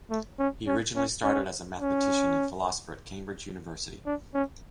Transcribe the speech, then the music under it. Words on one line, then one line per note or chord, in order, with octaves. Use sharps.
He originally started as a mathematician and philosopher at Cambridge University.
A3
C#4
C#4
C#4
C#4
C#4
D4
C#4